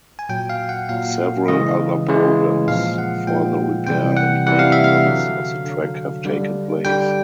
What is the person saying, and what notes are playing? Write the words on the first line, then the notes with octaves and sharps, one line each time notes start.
Several other programs for the repair and maintenance of the track have taken place.
G#5
A#2 F#3 G5
F5
F#5
A#2 F#3 F5
C#3 E3 G#3 D#5
C#3 E3 G#3
A#2 F3 G#3 F5
F#5
A#2 F3 G#3 G5
C3 E3 G3 G5
F#5
C3 E3 G3 F#5
F5
E5
F5
D3 F#3
D3 F#3
D3 G3
D3 G3 G5